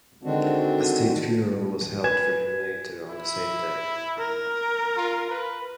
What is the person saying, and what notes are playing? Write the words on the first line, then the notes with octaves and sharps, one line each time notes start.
A state funeral was held for him later on the same day.
D3 D#3 G#3 C4 D4 F#4
B4 G#5 G#6 E7
E4
A#4
F4
B4